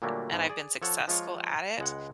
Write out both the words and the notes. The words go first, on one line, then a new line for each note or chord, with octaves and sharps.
a and I've been successful at it,
A#2 D3 F#3 G3 A3 A#3
G#2 B3
G#4 D5
F3 A4 C#5 F#5
F3 G#3 F4 C#5
C#2 G#3 F#5